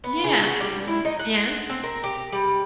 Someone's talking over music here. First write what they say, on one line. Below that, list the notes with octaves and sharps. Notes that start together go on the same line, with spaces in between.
Yeah, definitely. Yeah.
B3
C#3
F#4
G3
E4
D#4
F#5
C4
A#4
G4
G3